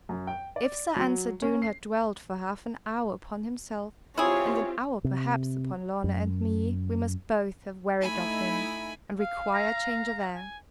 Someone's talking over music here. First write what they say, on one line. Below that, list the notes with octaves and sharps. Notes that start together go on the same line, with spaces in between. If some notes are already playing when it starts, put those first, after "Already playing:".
If Sir Ensor Doone had dwelled for half an hour upon himself, and an hour perhaps upon Lorna and me, we must both have wearied of him, and required change of air.
F#2
G5
D5
F#3
C#4
C7
C4 E4 F4 G4 G#4 C#5
C3
F#2
A3 D#4 E4 G#5 B5
F5
A#5
G#5